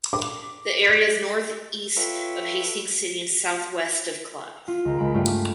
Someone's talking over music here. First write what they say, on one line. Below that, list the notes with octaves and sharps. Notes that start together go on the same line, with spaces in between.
The area is northeast of Hastings city and southwest of Clive.
D6
F4 A4 B4 C#5 E5 G5
F4
C#2 A#4
C#2 G#3 B5 D7
G2 G3 A3 C#4 F4